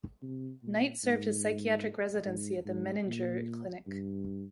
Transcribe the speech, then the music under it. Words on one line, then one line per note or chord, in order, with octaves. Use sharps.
Knight served his psychiatric residency at the Menninger Clinic.
C3
A#2
G#2
G#2
G#2
A#2
G2